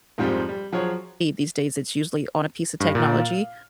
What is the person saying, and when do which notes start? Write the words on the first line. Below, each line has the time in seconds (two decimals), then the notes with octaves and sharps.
these days, it's usually on a piece of technology,
0.18 F2 G#2 F3 G3
0.49 G3
0.73 F3 F#3 G#4 C#5
2.80 G2
2.95 A#2
3.20 F5